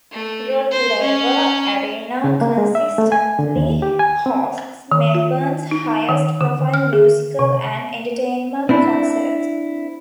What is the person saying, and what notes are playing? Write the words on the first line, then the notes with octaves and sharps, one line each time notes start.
Rod Laver Arena consistently hosts Melbourne's highest-profile musical and entertainment concerts.
A3
C5
C#4
C#3
A#3
G#3
E5
A3
G#5
D3
D#2
G4
G#5
C4
D#3
F4
D#4
D#3
D3
F6
G#4
C3
C4 D4 E4